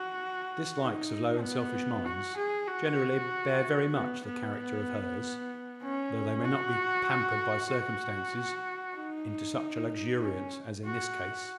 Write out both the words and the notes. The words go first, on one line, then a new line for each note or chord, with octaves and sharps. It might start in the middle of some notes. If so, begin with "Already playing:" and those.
The dislikes of low and selfish minds generally bear very much the character of hers, though they may not be pampered by circumstances into such a luxuriance as in this case.
Already playing: F#4
D#4
B3
F#4
G#4
F#4
B3
B3
C#4
F#4
F#4
D#4
C#4
F#4